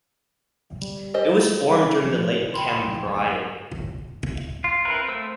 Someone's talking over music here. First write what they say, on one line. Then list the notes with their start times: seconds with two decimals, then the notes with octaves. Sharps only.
It was formed during the Late Cambrian.
0.82 G3
1.14 G4 C5 D#5
2.04 F3
2.54 G5 B5 C6
4.64 F4
4.85 C4 E4 F4 A#4 B4
5.09 A3 C5 E6